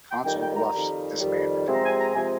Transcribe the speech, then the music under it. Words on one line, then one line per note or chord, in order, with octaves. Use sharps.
Council Bluffs disbanded.
G5
F2 D#3 G3 G5
G5
A#5
F2 D#3 G3
F2 D#3 G3
C3 F3 G#3 C4
A#5
G#5
A#5
C3 F3 G#3 C4 G#5